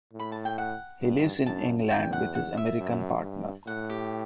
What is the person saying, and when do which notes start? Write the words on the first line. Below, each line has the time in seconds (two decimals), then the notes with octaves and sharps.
He lives in England with his American partner.
0.13 A2
0.19 B5
0.32 A5
0.45 G5
0.58 F#5
1.02 G2
1.46 F#2 A5
1.91 E2 G5
2.13 F#5
2.35 F#5
2.57 E5
2.80 F#2
3.23 G2
3.67 A2 F#5
3.90 G4